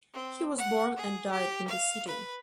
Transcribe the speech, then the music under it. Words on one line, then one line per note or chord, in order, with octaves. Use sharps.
He was born and died in the city.
C4
F#5
G#4
G4
F5
B4